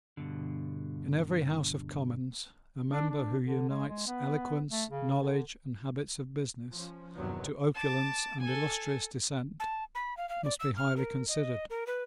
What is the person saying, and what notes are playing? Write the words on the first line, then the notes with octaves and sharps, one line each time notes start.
In every House of Commons, a member who unites eloquence, knowledge, and habits of business, to opulence and illustrious descent, must be highly considered.
G2 B2 D3
D4
D4
D3
G#3
G#3
B3
A3
C#3
D3
F3 C#4
E2 G2 C3 D#3 F#3 B3
A5 D6
A4 G#5
A5
B5
F5
F5
D5
E6
F6
A#4
D#5
A#4
B4